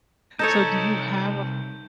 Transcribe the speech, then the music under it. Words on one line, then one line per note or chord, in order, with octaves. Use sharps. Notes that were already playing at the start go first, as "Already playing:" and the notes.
So do you have a f
C2 D#4 A4 C#5 A5 G6